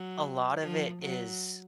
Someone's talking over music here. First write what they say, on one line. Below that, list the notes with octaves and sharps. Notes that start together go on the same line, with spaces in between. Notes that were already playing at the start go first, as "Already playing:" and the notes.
a lot of it is
Already playing: F#3
F3
F#3